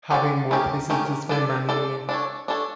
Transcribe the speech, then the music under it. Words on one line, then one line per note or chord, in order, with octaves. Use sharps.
having more places to spend money,
C#4 G4 D5
A3 C#4 G4 A#4
A3 C#4 G4 A#4
D4 A4 D5
D4 A4 D5
D4 A4 C#5
D4 A4 C#5